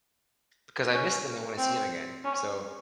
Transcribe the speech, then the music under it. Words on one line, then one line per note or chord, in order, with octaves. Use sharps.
because I miss them; I wanna see 'em again. So,
C#4
C4
C#4